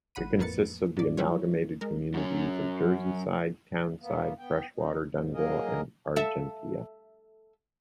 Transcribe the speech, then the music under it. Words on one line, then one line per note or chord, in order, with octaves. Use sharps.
It consists of the amalgamated communities of Jerseyside, Townside, Freshwater, Dunville and Argentia.
G#1 F#5 B5 D#7
F2 A2 A#3 B4 A6 C#7
G#2 D5
F#3 G3 E4 F4 C#5
G#3 A#4
F#2 C#4
E2 A#3 B3
B3 G5
D#4
G#2
F#3 A#3 G#4 A#4 D#5
A4 E5